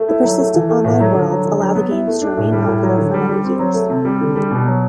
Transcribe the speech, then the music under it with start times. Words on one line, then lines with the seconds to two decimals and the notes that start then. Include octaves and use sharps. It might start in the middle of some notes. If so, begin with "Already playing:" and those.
The persistent online worlds allow the games to remain popular for many years.
Already playing: A3
0.08 E4
0.24 F#3
0.39 A3
0.54 E3
0.69 A3
0.85 A2
1.00 F#3
1.14 D3
1.31 F#3
1.45 D3
1.61 F#3
1.75 B3
1.91 E4
2.07 A3
2.22 D4
2.37 A2
2.52 G3
2.67 A2
2.84 F#3
2.98 D3
3.14 G3
3.29 G3
3.45 C4
3.59 F#3
3.74 A3
3.90 C3
4.05 G3
4.21 D3
4.36 G3
4.51 B2
4.66 F#3